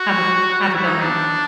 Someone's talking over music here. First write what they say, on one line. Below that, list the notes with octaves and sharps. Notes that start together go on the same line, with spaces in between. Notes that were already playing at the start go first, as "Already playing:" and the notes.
Have a have a good one.
Already playing: F#4
F#4
E4
D#4
D4